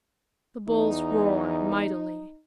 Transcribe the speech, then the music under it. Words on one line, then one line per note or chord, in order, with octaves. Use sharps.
The bulls roared mightily.
E2 D#4